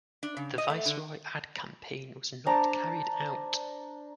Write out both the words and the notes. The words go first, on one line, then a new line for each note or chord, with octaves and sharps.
The Viceroy ad campaign was not carried out.
D4
C#3
D#5
A3
D3
D4 C5 A5 A#5